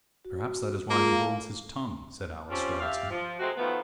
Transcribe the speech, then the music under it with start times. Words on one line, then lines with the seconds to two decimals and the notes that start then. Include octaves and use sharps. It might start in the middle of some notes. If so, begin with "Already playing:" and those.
"Perhaps that is why he holds his tongue," said Alice, rising.
0.25 F#4
0.90 G#3 A#3 F4 G#4
1.12 F5
2.50 F3 G3 C4 C#4
2.80 G4 D5 E5 F5
3.10 F3
3.39 C3 G#3 A3 C4 F#4
3.57 D#3 F3 A3 B3